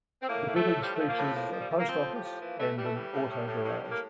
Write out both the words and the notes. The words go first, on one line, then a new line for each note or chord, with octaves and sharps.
The village features a post office, and an auto garage.
C4
A2 A#3
A2
A3
A2
F3 G3
A3
F3
A#3
A2 A3
F3 A#3
F3
G3
F3 A3
A#3
F3 C4
A2
G4
F3
E3 A#3
E3 A3
E3 G3
A3
A2 G3
A2
A2
A2
A2
A2
A#3